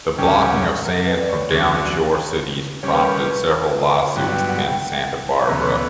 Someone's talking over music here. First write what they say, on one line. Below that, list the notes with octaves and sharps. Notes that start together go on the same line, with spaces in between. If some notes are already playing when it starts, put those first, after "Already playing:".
The blocking of sand from downshore cities prompted several lawsuits against Santa Barbara.
D2 C#3 G3 C#4 G5
F#5
E5
A#4
B4
D5
C#5
D2 D3 F#3 C#4
C#3 G3 C#4 C#5
B4
A#4
B4
A#4
B4
C#5
G2 D3 F#3 B3 G5
G5
F#5
G5
B5
D2 C#3 E3 B3 A#5
B5